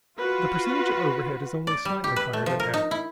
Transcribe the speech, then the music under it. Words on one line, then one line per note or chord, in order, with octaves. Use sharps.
The percentage of overhead is only slightly higher than average.
F4 F#4 B4
D5
G3
G4
B4
A3
F3
A#4
D#4
E4